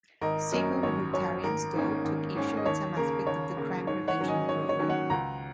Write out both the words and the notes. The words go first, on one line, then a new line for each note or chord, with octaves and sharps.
Civil libertarians, though, took issue with some aspects of the crime-prevention program.
G#1 A#4 D#5
F#2 F#3 C#4 A#4 D#5
G#1 C#5
F#2 F#3 C#4 C#5
G#1 A#4
G#2 D#3 A#3 C#4
G#1
G#2 D#3 A#3 C#4
D#5
D#2 C#5
C#3 A#3 A#4
D#2 C#5
C#3 A#3
G#2 C#5
C#5 F#5
D#3 F#3 C#4
D#5 G#5
G#2 C#5
C#5
D#3 F#3 C#4
C#5 F#5
C#2 F#5 A#5